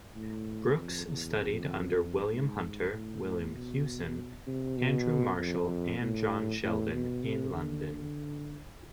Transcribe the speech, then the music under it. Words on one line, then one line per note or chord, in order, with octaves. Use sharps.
Brookes studied under William Hunter, William Hewson, Andrew Marshall, and John Sheldon, in London.
A2
F2
E2
F2
G#2
A2
A2
B2
C3
B2
F2
A2
A2
B2
C3
D3